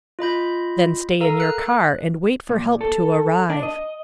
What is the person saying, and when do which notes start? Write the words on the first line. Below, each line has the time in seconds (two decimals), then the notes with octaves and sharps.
Then stay in your car and wait for help to arrive.
0.19 F4 D#5 B5 G6
1.20 A4 A#4 F5 A#5 E6
1.40 F#6
2.49 A#2
2.81 A4
3.50 D4
3.63 D#5